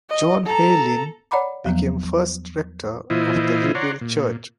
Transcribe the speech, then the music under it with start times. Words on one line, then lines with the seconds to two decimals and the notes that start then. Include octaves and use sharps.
John Heylyn became first rector of the rebuilt church.
0.10 D#5
0.46 A4 A#5
1.31 C#5 D5 F#5 A#5 B5 D6
1.65 E2 F3 F#3 B3
3.10 A#2 E3 E4 F4 C5 D#5
3.75 C#5 D5 F#5 A#5 C6
4.01 A#2